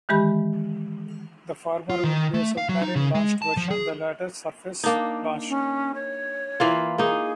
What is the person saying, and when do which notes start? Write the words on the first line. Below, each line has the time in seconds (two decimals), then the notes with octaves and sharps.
The former would be a submarine-launched version, the latter surface-launched.
0.09 D#3 E3 G#3 G4 B5
1.90 F4
2.04 D#3
2.34 A3
2.58 F5
2.69 F#3
2.82 D#4
2.96 C#3
3.15 G#3
3.42 A5
3.57 F3
3.71 G#4
4.84 A#3 D4 D#4
5.49 C#4
5.95 C#5
6.60 E3 A#3 F4
6.98 A#3 D#4 G#4